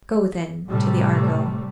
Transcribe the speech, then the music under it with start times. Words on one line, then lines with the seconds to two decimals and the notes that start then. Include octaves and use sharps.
Go, then, to the Argo.
0.67 A2 C3 G3 A3